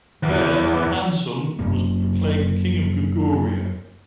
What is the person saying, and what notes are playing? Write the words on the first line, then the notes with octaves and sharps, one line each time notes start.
There Anseung was proclaimed king of Goguryeo.
E2 E3
F#2 A#3